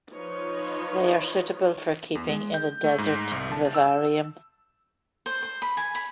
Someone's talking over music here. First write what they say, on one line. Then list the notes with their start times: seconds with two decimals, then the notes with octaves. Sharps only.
They are suitable for keeping in a desert vivarium.
0.13 F3 D#4 F4 B4 C#5 D#5
2.15 E2
2.29 G#3
2.54 G6
2.84 A3
2.98 G#2
3.31 C2
3.52 A5
3.75 E6
5.26 C5
5.43 C5
5.62 B5
5.77 G#5
5.95 B5